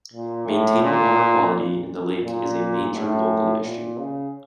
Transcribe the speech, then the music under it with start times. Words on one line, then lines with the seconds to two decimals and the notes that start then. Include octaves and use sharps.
Maintaining water quality in the lake is a major local issue.
0.13 A#2
0.48 A2
0.83 A#2
1.53 A#2
2.23 A#2
2.93 A2
3.63 A#2
3.98 C#3